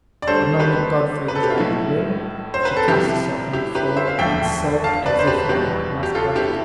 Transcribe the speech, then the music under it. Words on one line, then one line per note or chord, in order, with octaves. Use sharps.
The moment Godfrey was out of the room she cast herself on the floor, and sobbed as if her heart must break.
D5
D2 D3 G3 A4 C5
G4 B4
B4
A4
G4
F4
B1 A2 F3 E4
C5
B4
A4
C2 C3 F3 E4 G4
E4 G4
G4 B4
C5 E5
F5
E1 D2 D3 F3 E5 G5
F5 A5
B4 D5
C5
G4 B4
F1 E2 B2 G3 G4 B4
G4
F4 A4
E4 G4